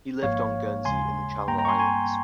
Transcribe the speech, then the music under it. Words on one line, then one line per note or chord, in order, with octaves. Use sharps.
He lived on Guernsey in the Channel Islands.
G#1 G#2 F3 A#3 C#5 F5
D#2 C#3 G#3 G#5 C6
G2 G3 A#3 G5 A#5
G5 A#5
C#6
G#5 C6
G#5 C6